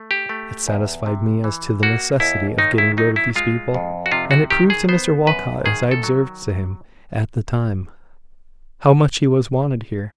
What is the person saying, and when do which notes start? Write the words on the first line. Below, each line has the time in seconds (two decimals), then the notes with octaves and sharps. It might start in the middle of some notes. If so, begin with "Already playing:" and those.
It satisfied me as to the necessity of getting rid of these people; and it proved to Mr Walcot, as I observed to him at the time, how much he was wanted here.
Already playing: A3
0.11 G4
0.29 A3
0.68 E2
1.06 C3
1.44 E3
1.83 A#3 F#4
2.20 D#2 E4
2.58 D#3 D#4
2.78 E4
2.97 F#3 D#4
3.16 E4
3.36 G#3 F4
3.74 F2
4.06 F#4
4.12 C3 F4
4.31 F#4
4.50 D#3 G4
4.70 G#4
4.89 B3 C5
5.27 F#2 B4
5.65 D#3 G#4
5.91 A4
6.03 F#3